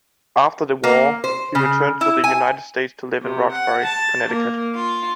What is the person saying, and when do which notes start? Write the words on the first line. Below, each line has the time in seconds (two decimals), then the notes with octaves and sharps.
After the war, he returned to the United States to live in Roxbury, Connecticut.
0.84 A#3
1.24 C5
1.55 C#3
2.01 E4
2.24 G#5
3.21 C3
3.51 F#5
3.84 A5
4.27 A#3
4.76 F4